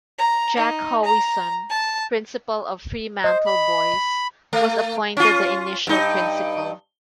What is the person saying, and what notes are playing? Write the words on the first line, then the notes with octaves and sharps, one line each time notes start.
Jack Howieson, principal of Fremantle Boys', was appointed the initial principal.
A#5
D#4
A#5
A5
C5 D#5
B5
A3
C#4 F4
G2 D#4